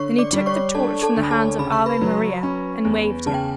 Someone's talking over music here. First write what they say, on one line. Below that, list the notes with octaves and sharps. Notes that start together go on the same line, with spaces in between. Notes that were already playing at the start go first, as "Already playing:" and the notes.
Then he took the torch from the hands of Ave Maria, and waved it.
Already playing: D3 C#5 C#6
D5 D6
G3
C#5 C#6
D4 A4 A5
A4 A5
D2
B5
A4 A5
C#3 B5
C#6
B4 B5
F#3
C#4
E2
C#3 A5
G5